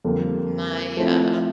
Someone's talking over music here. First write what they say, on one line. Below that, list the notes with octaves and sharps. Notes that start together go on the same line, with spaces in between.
my, uh
F2 D3 G3 A#3
F3 A3 C4 E4